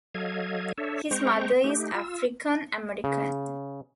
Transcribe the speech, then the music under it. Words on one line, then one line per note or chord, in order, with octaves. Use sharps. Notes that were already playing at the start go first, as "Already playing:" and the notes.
His mother is African-American.
F#3 A4 D#5 F5 G#6
D4 A4 C#5 E5
G#3 C4 C5 G5 A#5 C#6
A3 D#4 G4
F4 E6
C#3